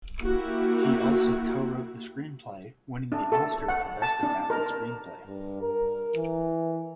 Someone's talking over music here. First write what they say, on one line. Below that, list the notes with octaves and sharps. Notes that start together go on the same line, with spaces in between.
He also co-wrote the screenplay, winning the Oscar for Best Adapted Screenplay.
A#3 E4 F#4 G4
D4
A4
F#5
A5
D4
A#4
G2
A#4
E3